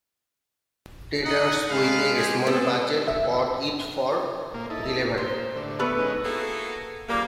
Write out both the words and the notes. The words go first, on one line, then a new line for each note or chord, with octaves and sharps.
Traders with a small budget bought it for delivery.
D#4 D#5 F#5
G#3 A4 B4 F5
G4 G#4
B3 G#4 A4
E5
A#2 A#3
D#4 E4 A4
A#3 C5
A2 D3
A3 B3 B4
G#3 C#4 D#4
A#3 B3 E4 F#4 G#4 A4
C#3 F3 G3 A#3